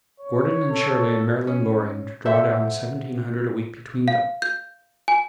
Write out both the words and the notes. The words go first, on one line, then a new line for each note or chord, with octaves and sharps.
Gordon and Shirley and Marilyn Loring draw down seventeen hundred a week between them.
C#5
A4
C#4
A4 C5 E5 F#5
F5
G6
G#5